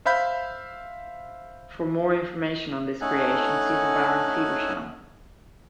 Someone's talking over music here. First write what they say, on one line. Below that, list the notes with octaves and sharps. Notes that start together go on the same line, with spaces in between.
For more information on this creation, see the Baron Feversham.
C5 E5 F5 B5 G6 B6
A3 C#4 D#4 A4 F#5 G#5